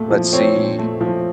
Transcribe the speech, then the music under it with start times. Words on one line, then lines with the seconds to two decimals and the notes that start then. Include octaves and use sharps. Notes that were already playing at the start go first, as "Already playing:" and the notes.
Let's see
Already playing: A#2 A3
0.11 F3
0.33 C4 C#5
0.56 A#2
0.79 A3
1.01 F3